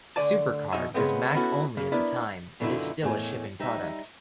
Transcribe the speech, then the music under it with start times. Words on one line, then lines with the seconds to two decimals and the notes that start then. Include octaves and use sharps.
SuperCard was Mac-only at the time, and is still a shipping product.
0.16 D2 D3 D5 G#5 A5
0.72 B2 D#4 F#4 E5 G#5
0.94 C#3 G#3 A3 B3 C4
1.34 B3 C#4 E4 F#4 A4
1.77 C#3 A#3
1.92 B3 D4 E4 A#4
2.60 F#2 B2 D3 D#3 E4 F4
3.02 E2 A2 D#3 G#5
3.60 G3 D#4 E5